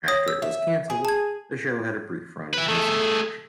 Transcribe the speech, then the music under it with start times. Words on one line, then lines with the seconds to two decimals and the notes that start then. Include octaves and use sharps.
After it was canceled, the show had a brief run in syndication.
0.08 C#5 D#6 A#6
0.28 E6
0.42 E5
0.90 G#4
1.05 A5 G#6
2.54 E4 B4
2.69 A3 G#4 A4